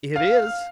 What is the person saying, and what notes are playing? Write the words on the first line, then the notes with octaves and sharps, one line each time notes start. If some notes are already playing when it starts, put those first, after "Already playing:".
"It is."
F5